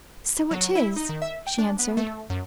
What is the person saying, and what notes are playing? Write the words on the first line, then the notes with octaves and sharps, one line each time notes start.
"So it is," she answered.
F#3
E4
D#4
D#3
E5
G5
D4
B3
A3
F#2